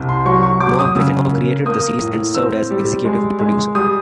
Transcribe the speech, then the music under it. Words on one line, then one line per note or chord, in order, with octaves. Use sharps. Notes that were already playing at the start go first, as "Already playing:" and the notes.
Merv Griffin created the series and served as executive producer.
Already playing: C2 C3
C6
F#3 C#6
C#6
F#3 D6
D#6
C#3 E6
A#3
A#3 D#6
A2
C4 E6
G3
G#3
G#3
G3 D#6